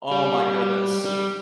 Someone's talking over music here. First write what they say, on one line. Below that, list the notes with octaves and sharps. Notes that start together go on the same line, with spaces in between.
oh my goodness.
G3
G3